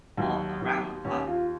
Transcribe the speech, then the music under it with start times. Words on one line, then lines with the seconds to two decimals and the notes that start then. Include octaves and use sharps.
all around the clock.
0.17 D#2 F#3
0.61 D#2
1.05 D#2 C#4
1.27 F4